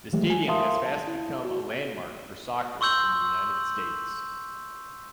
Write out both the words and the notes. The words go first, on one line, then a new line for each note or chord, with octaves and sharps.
The stadium has fast become a landmark for soccer in the United States.
D#3 E3 F#3 G#3 A3 G4
G#5
A#4 E5 F5 A5 C6 D#6
A5
E4
F#4
C6 C#6 E6 G6 F#7